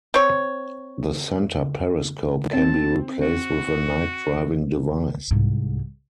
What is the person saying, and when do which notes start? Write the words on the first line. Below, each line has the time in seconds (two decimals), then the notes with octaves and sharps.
The centre periscope can be replaced with a night driving device.
0.14 C4 C#5
2.53 C4 A5
3.22 F#4
5.31 C2 G#2